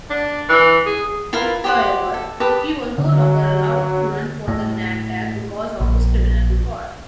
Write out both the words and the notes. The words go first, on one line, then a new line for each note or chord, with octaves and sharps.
However, he was no longer allowed to run for the Landtag because of his criminal record.
D4
E3
G#4
E4 F4 A#4 B4
G4 C5 F#5
A4
G4 B4 A5 D#6
D3 F#3
A2
A#1